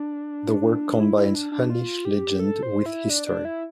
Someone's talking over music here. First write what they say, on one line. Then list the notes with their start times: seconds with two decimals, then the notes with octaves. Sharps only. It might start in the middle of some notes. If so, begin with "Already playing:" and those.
The work combines Hunnish legend with history.
Already playing: D4
1.00 E4
1.17 E4
1.35 D4
1.52 D4
1.70 F4
2.05 G4
2.40 A4
2.63 C5
2.86 E4
3.10 D4
3.27 D4
3.45 E4